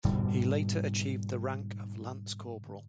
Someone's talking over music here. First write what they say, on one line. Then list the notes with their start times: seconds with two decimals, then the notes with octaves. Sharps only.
He later achieved the rank of lance corporal.
0.05 G#2 B2 D3 G3